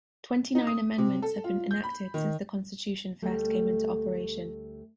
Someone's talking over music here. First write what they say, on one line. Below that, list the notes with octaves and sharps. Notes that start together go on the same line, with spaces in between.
Twenty-nine amendments have been enacted since the Constitution first came into operation.
D#4
D#6
C3
A4
F4
G6
B5
D#3
D2 G3 A3